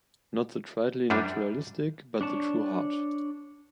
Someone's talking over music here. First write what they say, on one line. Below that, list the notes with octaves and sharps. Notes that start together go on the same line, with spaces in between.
Not the tritely naturalistic, but the true heart.
F#2 G3 D4
D4 C#5 A5